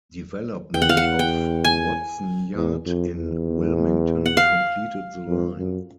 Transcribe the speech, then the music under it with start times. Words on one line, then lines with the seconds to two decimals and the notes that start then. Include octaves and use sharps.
Development of Watson Yard in Wilmington completed the line.
0.74 E2 G5
0.82 F#5
0.89 F5
0.97 F#5
1.19 G5
1.65 G#5
2.55 E2
2.86 F2
3.16 E2
4.26 F#5
4.37 F5
5.27 F2
5.58 F#2